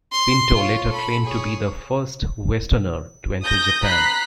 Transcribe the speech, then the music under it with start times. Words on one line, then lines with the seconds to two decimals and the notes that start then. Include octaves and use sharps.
Pinto later claimed to be the first westerner to enter Japan.
0.12 C6
0.55 F4 C#5
0.88 A4 B5
1.25 G#4 C#5
3.42 D#6 G6 A#6
3.84 A#5 B5 F#6 B6 C7